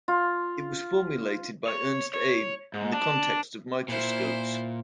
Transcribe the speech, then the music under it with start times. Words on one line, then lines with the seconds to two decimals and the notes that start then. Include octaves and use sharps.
It was formulated by Ernst Abbe in the context of microscopes.
0.08 F4
1.68 C#5
2.14 C#5
2.74 G#2
2.93 D4
3.88 A#2 E4 C5